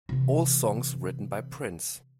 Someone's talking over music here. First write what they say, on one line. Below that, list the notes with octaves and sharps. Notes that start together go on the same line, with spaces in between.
All songs written by Prince.
C3 E3